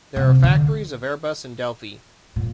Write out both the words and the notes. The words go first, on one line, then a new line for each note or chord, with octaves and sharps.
There are factories of Airbus and Delphi.
C3
D3
A#2